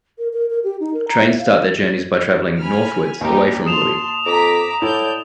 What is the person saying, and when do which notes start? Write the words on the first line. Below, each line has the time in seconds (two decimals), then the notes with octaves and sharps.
Trains start their journey by travelling "northwards", away from Looe.
0.19 A#4
0.33 A#4
0.50 A#4
0.64 G4
0.80 D#4
0.94 A#4
1.08 A#5
1.24 E5
1.39 F5
2.59 G#5 B5 F6
3.21 D#2 D#4 G4 B4
3.66 A5 C6 D#6 E7 F7
4.25 F2 A#5 D6 B6
4.82 A2 E4 D5 G6